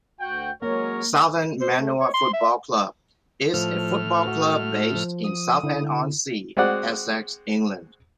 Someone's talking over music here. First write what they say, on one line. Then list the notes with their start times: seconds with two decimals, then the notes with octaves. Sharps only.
Southend Manor Football Club is a football club based in Southend-on-Sea, Essex, England.
0.20 D2 F#4 F#5 G5
0.62 F#3 G#3 A#3 C#4 A#4 C#5
1.61 C5
1.79 A3
2.00 C#5
2.14 C6
2.33 E5
3.54 A2 F3 F6
4.27 F#4
4.95 F3
5.24 D#6
5.63 D3 E4
6.57 G#3 C4 F#4 D5 F#5